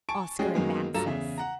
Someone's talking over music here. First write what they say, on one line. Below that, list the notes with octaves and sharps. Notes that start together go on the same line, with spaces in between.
Oscar advances.
G#5 A5 C#6 D7
G3 G#3 C#4 F#4 G#4 G5
F#2 D#3 F#3 G#3 A#3 B3
G2 F#3 F4 A4 A#5 E7
E2 C#3 E5
F#5 A#5